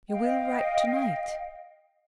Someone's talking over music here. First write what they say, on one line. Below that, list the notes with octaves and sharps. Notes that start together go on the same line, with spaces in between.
'You will write to-night?
D#5 F5 G5